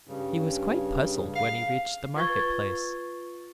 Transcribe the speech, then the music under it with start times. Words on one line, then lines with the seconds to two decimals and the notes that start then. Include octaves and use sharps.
He was quite puzzled when he reached the market-place.
0.08 G2 C#3
1.36 F5
2.16 F4 B4 C#6 G#6 A6 G7